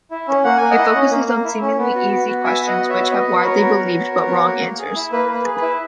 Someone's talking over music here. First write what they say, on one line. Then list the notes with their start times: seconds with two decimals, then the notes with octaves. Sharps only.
It focuses on seemingly easy questions which have widely believed but wrong answers.
0.11 E4
0.28 C#4
0.44 A#3 F#5
0.57 A#3 G#5
0.70 D#5 F#5
0.78 E4
0.95 C#4
1.11 A#3
1.28 A#3
1.44 E4
1.61 C#4
1.78 B3
1.95 F#4
2.11 B3
2.28 F#4
2.44 B3 E5 G#5
2.61 F#4
2.67 D#5 F#5
2.78 B3
2.89 C#5 E5
2.95 F#4
3.05 C#5
3.11 B3 B4 D#5
3.28 F#4
3.35 B4
3.45 B3 A#4 C#5
3.62 F#4
3.78 B3
3.96 F#4
4.12 B3
4.28 F#4
4.45 A#3
4.62 A#3
4.78 G#4
4.95 E4
5.12 A#3 B4
5.28 A#3
5.34 B4
5.45 G#4
5.56 B4
5.62 E4